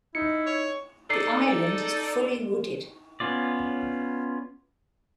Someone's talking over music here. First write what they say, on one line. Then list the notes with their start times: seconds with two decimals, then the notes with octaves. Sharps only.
The island is fully wooded.
0.15 D#4 E4 C#7
0.46 C#5
1.10 D#4 A4 D5 C7
3.20 B3 C#4 F4 D5